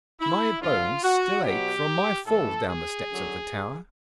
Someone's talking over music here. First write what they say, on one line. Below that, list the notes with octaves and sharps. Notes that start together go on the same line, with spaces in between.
My bones still ache from my fall down the steps of the tower.
E4
G2 D3 F3 F4
F#4
B2 F#3 G4
A2 E3 A4
G#4
F#2 D3 F#3